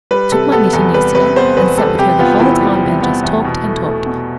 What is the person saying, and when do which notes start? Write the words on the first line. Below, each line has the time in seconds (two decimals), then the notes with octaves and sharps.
I took my knitting yesterday, and sat with her the whole time and just talked and talked.
0.11 G3 B4
0.32 C3 A4
0.52 B3 A4
0.73 E2 A4
0.94 G3 B4
1.15 C3 B4
1.36 B3 C5
1.57 E2 B4
1.77 G3 A4
1.98 C3 G4
2.19 B3 F4
2.40 E2 E4
2.61 G3
2.82 C3
3.02 B3
3.23 E2
3.44 B2
3.65 A3
3.86 A3
4.06 B2